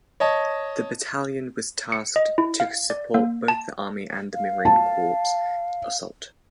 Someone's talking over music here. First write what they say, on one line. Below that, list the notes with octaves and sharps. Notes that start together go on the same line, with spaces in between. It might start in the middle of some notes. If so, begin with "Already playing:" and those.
The battalion was tasked to support both the Army and the Marine Corps assault.
C#5 D#5 A5
C#7
D#5
E4
F5
D5
A#3
A5
F5
A5